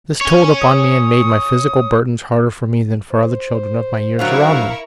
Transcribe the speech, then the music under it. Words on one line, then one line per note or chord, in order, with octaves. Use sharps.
This told upon me and made my physical burdens harder for me than for other children of my years around me.
C#5 G#5
D#6
C5
A2 D3 F#3 E4 A#4 F5 C#6